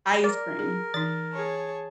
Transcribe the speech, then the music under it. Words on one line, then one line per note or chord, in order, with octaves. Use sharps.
Ice cream.
A#4 D5
G#4
E3 D#4 A6
G#4 C#5 A5